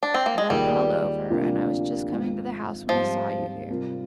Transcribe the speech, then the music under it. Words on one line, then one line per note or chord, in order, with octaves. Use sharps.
I've walked all over, and I was just coming to the house when I saw you here.
D4
C4
A#3
G#3
D#2 D#3 G3 A#3 F4 G#4
D2 C3 F3 A#3 D4
G#1 G#2 F3 C4
G#2 F3 G3 C4 G4 C5
C3 G3 C4 F4 A#4